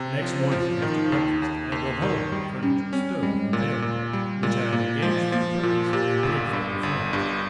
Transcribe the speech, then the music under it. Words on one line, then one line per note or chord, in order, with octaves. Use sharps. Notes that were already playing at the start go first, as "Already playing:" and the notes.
The next morning, after breakfast, I had the whole of the furniture stowed in a peotta, which I had engaged for the purpose and paid for beforehand.
Already playing: C3
C#5
F3
C5
F3
F4
D#3 D#4
D#2
D#2
D#2
D#3
G3
G3 C#4
C4 C#4
G3 G#3
A#2
A#2
G3
A#2 G#3
A#2 A#3
F3 G#3
F3 A#3
A#2 F4
A#2 G4
G1
G2
G1
G2 G4